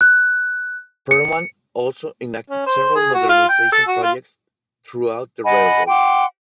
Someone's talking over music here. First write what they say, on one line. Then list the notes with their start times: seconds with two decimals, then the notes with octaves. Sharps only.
Perlman also enacted several modernization projects throughout the railroad.
0.01 F#6
1.11 C#7
2.50 C#4
2.66 C5
2.95 G#4
3.14 F#4
3.29 F4
3.49 G5
3.72 A4
3.88 F#4
4.03 F4
5.44 D#5 F#5 G#5 B5
5.88 F#5 G5 C6 D6